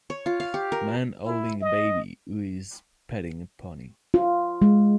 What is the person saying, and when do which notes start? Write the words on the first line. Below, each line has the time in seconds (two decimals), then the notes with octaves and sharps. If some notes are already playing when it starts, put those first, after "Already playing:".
A man holding a baby who is petting a pony.
0.10 C#5
0.26 F4
0.40 F5
0.54 G4
0.72 A#4
1.25 E4
1.61 D#5
4.14 F4
4.62 G#3